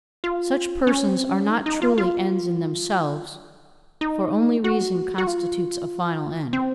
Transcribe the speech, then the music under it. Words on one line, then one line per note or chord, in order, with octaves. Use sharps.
Such persons are not truly ends in themselves, for only reason constitutes a final end.
F4
C#4
C4
C#4
D#4
D#4
F4
F4
D#4
F#4
F#4
F4
C4